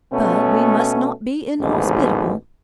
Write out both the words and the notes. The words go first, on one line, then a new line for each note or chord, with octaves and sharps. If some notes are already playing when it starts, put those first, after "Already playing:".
But we must not be inhospitable.
B2 A3 B3 C#4
A1 D#2 G#2 B2 F#3 G#3